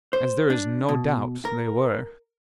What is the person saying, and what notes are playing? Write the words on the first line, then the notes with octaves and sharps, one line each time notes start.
As there is no doubt they were.
C5
D4
B2
A#4